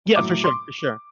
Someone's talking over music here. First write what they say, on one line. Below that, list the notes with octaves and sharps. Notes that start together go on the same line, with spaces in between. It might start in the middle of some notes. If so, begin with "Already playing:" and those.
Yeah, for sure, for sure.
A2 F#3 D6
C6